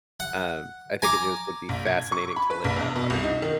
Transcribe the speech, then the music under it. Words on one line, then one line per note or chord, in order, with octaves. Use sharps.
Um, I think it just would be fascinating to live that part.
F#5
G#5 A#5 D6
A#1
G#6
C#6
B5
B4
A#1
E2
B2
C2
D#4
D#3